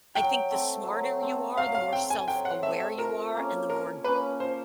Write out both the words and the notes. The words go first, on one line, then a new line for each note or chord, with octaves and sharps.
I think the smarter you are, the more self-aware you are, and the more
F#3 G5
A3 C4
F#3
A3 C4
F#3 F5
F5
A3 C4 G5
G#5
F#3 G5
F#5
A3 C4 E5
E5
F3 A#4
A#3 C#4
F3 A#4
A#3 C#4 B4
F3 C5